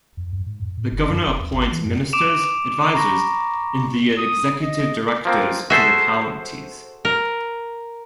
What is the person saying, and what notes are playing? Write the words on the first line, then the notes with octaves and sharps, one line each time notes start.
The Governor appoints ministers, advisors, and the Executive Directors to the Counties.
F2
F#2
G#2
F2
A2
F#1
F#2
F1
E2
G#1
E3
F#2
D6 D7 E7 F7
A#5 B5 C#6 A#6
D#6
D#5
F3 A#3 C4
F#4 G#4 A4 C5 E5
A#4